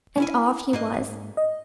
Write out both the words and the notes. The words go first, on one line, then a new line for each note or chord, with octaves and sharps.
And off he was.
C#4 E4 G#5
G#2 A#3 D#5
D#5